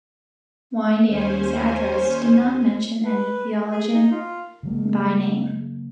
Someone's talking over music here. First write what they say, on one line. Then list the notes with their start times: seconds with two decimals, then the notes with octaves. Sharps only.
Weinandy's address did not mention any theologian by name.
1.07 D#2 C#4 C5 G#5
3.04 B4
3.71 G#4
3.94 D#4
4.12 F4
4.63 C#3 F#3 G#3 A#3